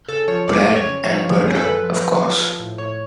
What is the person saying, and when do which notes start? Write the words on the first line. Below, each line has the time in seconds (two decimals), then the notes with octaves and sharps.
Bread-and-butter, of course.
0.09 C#3 A4
0.28 F3 C#5
0.48 F2 D5
0.67 F2
0.76 C#5
0.86 C#3
1.05 F3 C#5
1.24 F3
1.43 F#2 G#4
1.55 A4
1.64 F#2 B4
1.83 F3
2.01 F3
2.21 F3
2.41 F3
2.60 A2
2.78 A2 C#5